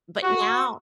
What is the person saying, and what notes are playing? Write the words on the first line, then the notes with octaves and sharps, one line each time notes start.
but now
F#4